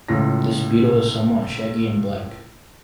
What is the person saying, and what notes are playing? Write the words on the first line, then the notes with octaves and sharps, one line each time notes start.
This beetle is somewhat shaggy and black.
C#2 A2 F4 A#6